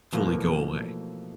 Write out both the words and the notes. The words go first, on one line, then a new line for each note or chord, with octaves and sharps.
fully go away.
B2 E3 F3 A3 A#3